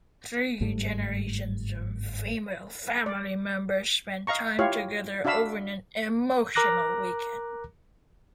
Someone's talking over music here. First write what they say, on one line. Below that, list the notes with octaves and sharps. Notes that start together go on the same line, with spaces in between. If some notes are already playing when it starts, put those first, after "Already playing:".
Three generations of female family members spend time together over an emotional weekend.
G1 G#2 G3 A3
D5
D#5 F5 A#5 C#6
E4 F4 G4 C#5 F5
D4 F#4 E5 F5 B5 E6
A#4 A#5 D6 F#6 A#6